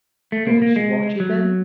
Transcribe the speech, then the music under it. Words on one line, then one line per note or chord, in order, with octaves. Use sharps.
"Doesn't she watch you, then?"
A3
A#3
A#3
G#3
F#3